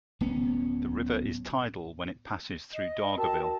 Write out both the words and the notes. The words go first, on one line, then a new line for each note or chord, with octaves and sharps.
The river is tidal when it passes through Dargaville.
D1 B3 C#4
D#5
F#4 A#4 G5 A5